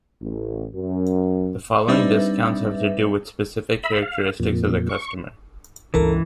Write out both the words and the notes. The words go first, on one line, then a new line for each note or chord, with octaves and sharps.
The following discounts have to do with specific characteristics of the customer.
A1
F#2
G3 C4 D4 D#4 B4 E5
E5 B5
F5
F2 A#2
C#6
G1 C#2 E3 A4 A#4